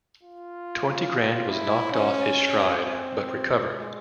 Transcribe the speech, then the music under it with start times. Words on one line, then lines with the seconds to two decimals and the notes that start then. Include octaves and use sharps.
Twenty Grand was knocked off his stride but recovered.
0.23 F4
1.50 E4
1.92 C#4
2.77 C4
3.61 G#3